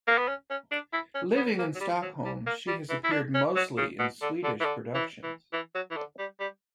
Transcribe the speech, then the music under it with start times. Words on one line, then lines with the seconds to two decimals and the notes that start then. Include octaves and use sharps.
Living in Stockholm, she has appeared mostly in Swedish productions.
0.07 A#3
0.18 B3
0.28 C#4
0.50 C#4
0.71 D4
0.93 E4
1.14 C#4
1.37 B3
1.58 A#3
1.75 F#3
1.80 G3
2.02 F#3
2.25 G3
2.46 A#3
2.67 G3
2.89 E3
3.04 E4
3.12 D4
3.34 C#4
3.56 F#3
3.77 C#3
3.99 B2
4.21 D3
4.44 D3
4.60 E3
4.65 D3
4.95 E3
5.23 E3
5.53 E3
5.74 F#3
5.91 E3
5.96 D3
6.19 G3
6.40 G3